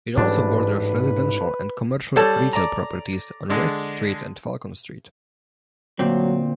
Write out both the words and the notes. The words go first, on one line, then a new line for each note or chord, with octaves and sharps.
It also borders residential and commercial retail properties on West Street and Falcon Street.
A1 G#2 D4 B4
G3 A4 C#5 A5
D5 A#5
D3 G#3 D4
D2 A#2 F#3 C4